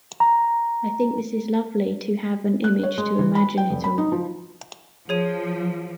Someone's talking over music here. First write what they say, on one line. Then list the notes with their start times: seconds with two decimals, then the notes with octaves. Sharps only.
I think this is lovely to have an image to imagine it all.
0.20 A#5
2.64 F#6
2.83 C#5
2.98 G#3
3.19 E3
3.35 B5
3.58 G5
3.70 F1
3.84 B5
3.98 D#4
4.12 F3
5.09 F3 G#4 C#5 D#7